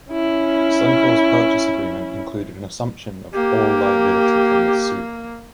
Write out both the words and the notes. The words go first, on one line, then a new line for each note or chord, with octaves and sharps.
Suncor's purchase agreement included an assumption of all liability from this suit.
C#4 E4
A#3 G4